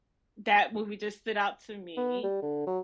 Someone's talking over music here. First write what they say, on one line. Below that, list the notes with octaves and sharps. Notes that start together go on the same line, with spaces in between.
that movie just stood out to me
B3
G3
D3
F#3